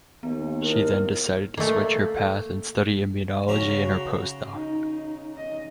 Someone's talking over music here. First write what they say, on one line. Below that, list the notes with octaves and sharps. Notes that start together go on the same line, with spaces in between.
She then decided to switch her path and study immunology in her postdoc.
D#2 B3
E4 G4 A#4
A3 A#3
C#3 F#4 A#5
D#4
D#5